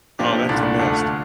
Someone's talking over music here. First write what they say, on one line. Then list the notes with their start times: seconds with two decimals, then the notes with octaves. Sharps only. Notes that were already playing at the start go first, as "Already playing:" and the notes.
Oh, that's the best.
0.19 A#2 F3 A#3 D4 G4
0.49 C2 A#2 A3 D4
0.79 D2 D3 A3 D4 F4